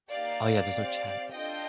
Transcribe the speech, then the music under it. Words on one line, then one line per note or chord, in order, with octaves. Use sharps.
oh, yeah, there's no chat.
A#3 D#4 G4 D5 F5
C4 G4
D4 F4 A4 D#5 G5